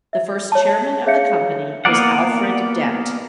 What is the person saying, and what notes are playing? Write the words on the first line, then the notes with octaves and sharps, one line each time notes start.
The first chairman of the company was Alfred Dent.
E5
C#5 A5
G#4 C#5 E5 F5 G6 C#7
A#3 B3 A#4 D5 F#5